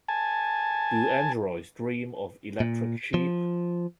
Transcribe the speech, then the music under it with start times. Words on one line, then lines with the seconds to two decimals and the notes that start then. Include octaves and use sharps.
Do Androids Dream of Electric Sheep?
0.08 G#5 A5
2.60 A#2
3.14 F3